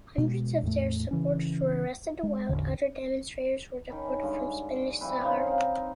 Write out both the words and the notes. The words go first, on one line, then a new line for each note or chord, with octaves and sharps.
Hundreds of their supporters were arrested, while other demonstrators were deported from Spanish Sahara.
B2 G#3
E2 A2 A3
C#3 E3 C#4
G#3
A1 E2 A2 D3
D#3 C#4 B5
G2 D3 G#3
E3 G3 C4 B4
C#3 C4 D#4
D#4 F5